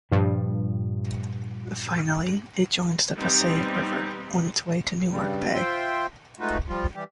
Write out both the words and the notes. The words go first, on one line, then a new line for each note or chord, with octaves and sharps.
Finally, it joins the Passaic River, on its way to Newark Bay.
G2 A#2 F3 G3
E3 G3 B3 C4 D#4
G2 C#3 G3
F4 C5 E5 G5 C6
G#3 A3 D#4 F4 F#4 B4
F3 G3 F4
E3 G3 G4